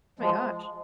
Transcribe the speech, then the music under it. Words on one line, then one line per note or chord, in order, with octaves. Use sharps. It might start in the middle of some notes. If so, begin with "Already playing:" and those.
My gosh.
F3 G#3